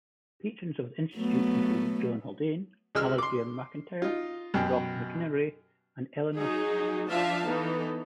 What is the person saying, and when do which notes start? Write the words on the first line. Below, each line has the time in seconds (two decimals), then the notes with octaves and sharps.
Patrons of the institute include John Haldane, Alasdair MacIntyre, Ralph McInerny and Eleonore Stump.
1.16 F#3 A3 B3
2.95 C#2 G#3 E6 F6
3.18 C6 D6
4.02 D#4 F4
4.54 F#2 B2 G4
6.36 F#3 D#4 G#4
7.08 F3 D4 F4 E5 F5 A5
7.46 E3 B3 D#4 A4